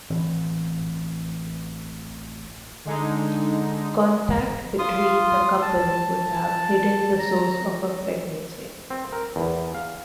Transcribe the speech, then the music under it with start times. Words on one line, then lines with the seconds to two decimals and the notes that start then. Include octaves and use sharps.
Contact between the couple would have hidden the source of her pregnancy.
0.10 A1 E3 C4
2.85 D3 G#3 D#4
4.79 F4 C6 D#6
5.62 A5
7.19 A#5
8.90 C4
9.13 A#4
9.36 E2
9.74 F5